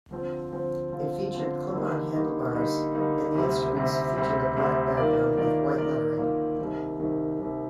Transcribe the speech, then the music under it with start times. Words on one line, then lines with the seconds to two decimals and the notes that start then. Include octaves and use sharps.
It featured clip-on handlebars and the instruments featured a black background with white lettering.
0.11 D3 F3 C4 F4
0.52 D3 F3 C4 F4
0.92 D3 F3 C4 F4
1.32 D3 F3 C4 F4
1.73 D3 G3 A#3 D#4
2.13 D3 G3 A#3 D#4
2.54 D3 G3 A#3 D#4
2.95 D3 G3 A#3 D#4
3.35 D2 C3 G3
3.75 D2 C3 G3
4.16 D2 C3 G3
4.57 D2 C3 G3
4.97 D#3 A#3 F4 A#4 D5
5.37 D#3 A#3 F4 A#4 D5
5.77 D#3 A#3 F4 A#4 D5
6.18 D#3 A#3 F4 A#4 D5
6.59 C2 C3 D#3
6.99 C2 C3 D#3
7.40 C2 C3 D#3